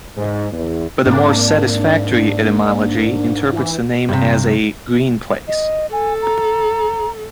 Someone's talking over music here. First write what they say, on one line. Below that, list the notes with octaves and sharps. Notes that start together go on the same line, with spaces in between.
But a more satisfactory etymology interprets the name as a "green-place".
G#2
E2
G#2 A#3 C4 D4
E3
G2 C3
D#5
A4 G#5
A#5